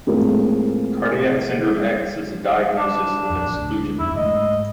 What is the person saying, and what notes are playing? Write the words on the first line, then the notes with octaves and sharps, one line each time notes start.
Cardiac syndrome X is a diagnosis of exclusion.
F2 A2 G#3 A#3
D4
A#1 F2
D2 D4
F#1 E2 E4
G#2 G#3 A3 D#5